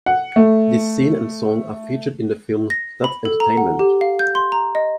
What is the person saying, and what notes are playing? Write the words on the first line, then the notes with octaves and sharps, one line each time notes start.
This scene and song are featured in the film That's Entertainment!
F#5
A3
A#6
B5
A4
A#5
F#5
G4
F5
G6
C6
A#5
D#5